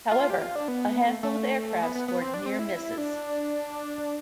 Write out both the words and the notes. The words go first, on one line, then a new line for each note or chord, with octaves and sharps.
However, a handful of aircraft scored near misses.
F4
G4
F4
D4
B3
A3
A3
B3
B3
B3
C4
D4
C4
E4
D4